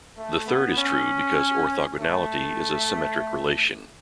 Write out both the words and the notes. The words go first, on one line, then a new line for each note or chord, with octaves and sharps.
The third is true because orthogonality is a symmetric relation.
A3
B3
C#4
A3